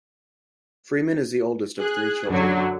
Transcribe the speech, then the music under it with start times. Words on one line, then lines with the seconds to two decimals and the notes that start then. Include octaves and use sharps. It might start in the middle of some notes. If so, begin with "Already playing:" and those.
Freeman is the oldest of three children.
1.78 G#4 F#6
2.27 F#2 D3 F#3